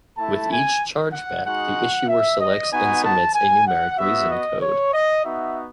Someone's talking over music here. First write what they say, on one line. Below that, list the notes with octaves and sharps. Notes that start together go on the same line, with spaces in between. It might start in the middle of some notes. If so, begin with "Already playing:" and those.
With each chargeback the issuer selects and submits a numeric reason code.
A3 E4 A5
G#5
F#5
G#3 D#4 F#4 F#5
E5
D#5
B3 D#4 F#4 G#5
A5
G#5
F#5
B3 F#4 E5
D#5
C#5
D#5
B3 D#4 F#4 E5